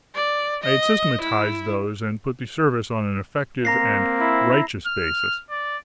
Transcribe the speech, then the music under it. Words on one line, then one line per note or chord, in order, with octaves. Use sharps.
I had systematized those, and put the service on an effective and righteous basis.
D5
D#5
E4
A#3 C4 A#5 A#6 C7
E4
F6
D5